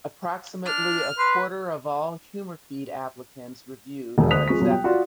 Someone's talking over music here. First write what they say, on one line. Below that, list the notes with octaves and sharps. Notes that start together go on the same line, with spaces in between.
Approximately a quarter of all HumorFeed applicants reviewed are accepted.
D4 F6
B4 C6
E1
D2 C5 D#6 F#6 B6 F7
F3 G#3 C#6 B6
B2 F#3 G3 F4
G5
F4 F#4 D5 C6